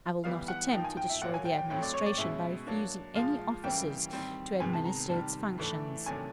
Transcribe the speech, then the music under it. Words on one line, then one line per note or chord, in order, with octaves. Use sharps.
I will not attempt to destroy the Administration by refusing any officers to administer its functions.
E3 G3 B3 F5
F#5
F3 A#3 D#4 G5
G#5
G5
E5
A#2 F#3 A#3 F#5
G#5
G5
G5
A2 F#3 A3 C4 G5
D5
C#5
D5
B2 G#3 C#4 E4 E5
F#3 A#3 D4
A#2 F3 G#3 F5
C#3 E3 G3 A#3 G5
D#3 G3 C4
C3 D#3 G#3 B3 G#5
A5
A#5
C3 D#3 G3 A5
A2 E3 A3 D4
C3 D#3 F#3 A3 D4 G#5